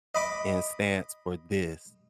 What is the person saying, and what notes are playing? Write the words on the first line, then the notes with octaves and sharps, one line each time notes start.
and stance for this."
D#5 B5 D6